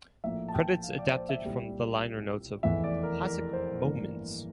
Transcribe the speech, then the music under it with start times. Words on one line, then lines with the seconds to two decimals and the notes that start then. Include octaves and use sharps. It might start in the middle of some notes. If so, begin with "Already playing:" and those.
Credits adapted from the liner notes of "Classic Moments".
0.24 A#1 A2 F3 A#3 E5
0.48 A5
0.54 G5
0.83 F5
0.99 D5
1.13 C5
1.29 E5
1.44 C2 A#2 G3
2.63 F1 E2 E3 E5
2.84 D5
3.03 A#4
3.23 A#4
3.53 C5
3.83 A1 G2 E3 A#3 A#4